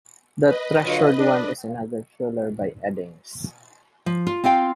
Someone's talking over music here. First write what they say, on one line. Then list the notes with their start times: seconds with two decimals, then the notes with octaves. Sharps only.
The Treasured One is another thriller by Eddings.
0.45 B4 D#5
0.84 D3 F#3 F4
1.18 D4
4.06 F3
4.27 F4
4.44 C4 F4 F5 G5